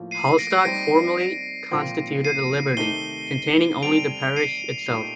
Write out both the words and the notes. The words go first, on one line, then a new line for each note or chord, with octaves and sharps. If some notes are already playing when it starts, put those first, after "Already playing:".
Halstock formerly constituted a liberty, containing only the parish itself.
Already playing: A2 F3 A#3
C7 D#7
C7
A#6 D7
C7
G3 C4 D#4 A#6 D7
A#2 F3 C4
C7 D#7
C3 D#3 A3 D#4 D#7 G7
G3 C4 D#4 A4 D7 F7
C7 D#7
A#2 A3 D#4 G4